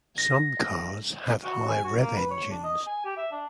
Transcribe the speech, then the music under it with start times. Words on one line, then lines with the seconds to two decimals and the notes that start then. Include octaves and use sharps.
Some cars have high rev engines.
0.18 A#6
1.44 F#4
1.68 G#5
1.84 F#4
1.99 A#3
2.16 B4
2.30 C#5
2.51 D4
2.63 D#5
2.87 G#5
3.05 G4
3.17 E5
3.31 D4